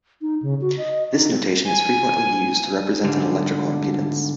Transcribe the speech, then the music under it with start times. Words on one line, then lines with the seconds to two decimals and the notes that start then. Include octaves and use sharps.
This notation is frequently used to represent an electrical impedance.
0.22 D#4
0.42 C#3
0.61 F#4
0.78 D#5
1.13 D#4
1.31 C4
1.66 G#5
3.05 G#2 D3 G3